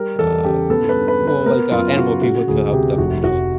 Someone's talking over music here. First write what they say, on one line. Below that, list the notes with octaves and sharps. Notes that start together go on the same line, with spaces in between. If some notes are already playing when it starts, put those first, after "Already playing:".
uh, you know well, like, uh, animal people to help them, you know,
Already playing: G3 A#4
E2 A4
C#3 G4
B3 A4
B4
G2
B4
D3
B4
B3 A#4
F#2 F4
C#3 F#4
G#3 F#4
D2 G#4
C3 G4
F1 F#4
F1 F#4